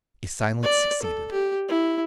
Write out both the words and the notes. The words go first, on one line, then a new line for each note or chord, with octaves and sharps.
A silence succeeded.
D5
A4
G4
E4